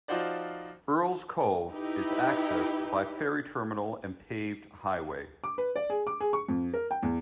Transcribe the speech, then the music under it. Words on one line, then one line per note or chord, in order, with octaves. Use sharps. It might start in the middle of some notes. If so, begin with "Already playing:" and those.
Earls Cove is accessed by ferry terminal and paved highway.
F3 D#4 F4 F#4 C5 D5
D#4 E4 G4 B4
D6
B4
D5
G#4
D6
G#4
C#6
F2
A#4
G5
E2